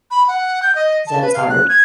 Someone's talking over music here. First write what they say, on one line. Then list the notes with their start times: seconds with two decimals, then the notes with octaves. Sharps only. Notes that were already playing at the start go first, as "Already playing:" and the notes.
‘cause that's hard.
0.11 B5
0.28 F#5
0.63 G6
0.75 D#5
1.07 A5
1.22 B4
1.34 F5
1.50 F#6
1.69 G#6